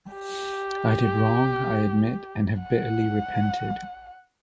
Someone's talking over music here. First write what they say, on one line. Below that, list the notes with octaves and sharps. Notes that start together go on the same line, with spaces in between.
I did wrong, I admit, and have bitterly repented.
G4
F#5